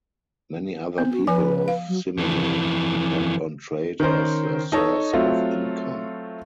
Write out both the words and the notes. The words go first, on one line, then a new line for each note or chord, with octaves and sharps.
Many other people of Simele depend on trade as their source of income.
B3 C4
F#4
F3 B4 G#5
F5
F#3
F2 E3
D#3 C#4 A#4 C5
D#4 A4 C#5 D#5
F#3 A3 C4 F4